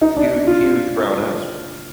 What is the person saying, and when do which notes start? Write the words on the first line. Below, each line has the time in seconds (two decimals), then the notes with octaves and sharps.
Hu huge brown eyes.
0.01 D#4
0.17 D4
0.47 F4